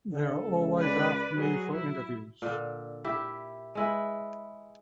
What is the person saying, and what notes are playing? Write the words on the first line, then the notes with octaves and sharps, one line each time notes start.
They're always after me for interviews.
D3 A4
C#2
B4 D5
F#3 F#4 G#4
E4
A#2 D3
E4 G4 E5
G#3 E4 B4